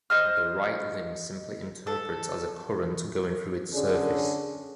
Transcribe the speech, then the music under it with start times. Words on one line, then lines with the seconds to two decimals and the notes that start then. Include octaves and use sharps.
The right limb simply interprets as a current going through its surface.
0.10 C5 D#5 F6
1.87 A4
3.74 D3 C#4 D4 G#4